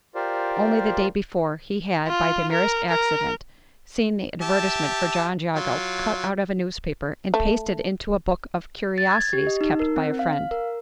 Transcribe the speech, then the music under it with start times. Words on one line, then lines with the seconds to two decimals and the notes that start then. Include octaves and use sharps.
Only the day before, he had, by the merest accident, seen the advertisement for John Jago cut out of a newspaper and pasted into a book of "curiosities" kept by a friend.
0.15 F4 G4 A#4 C5 D5
2.07 F4
2.52 A#4
2.89 A#4
4.41 G4 E5 A5
5.56 F#3 F4
7.34 A3
8.98 A6
9.11 G#6
9.33 G4
9.47 D#5
9.61 D#4
9.80 A#4
9.96 C4
10.19 F5
10.33 F5
10.51 A#4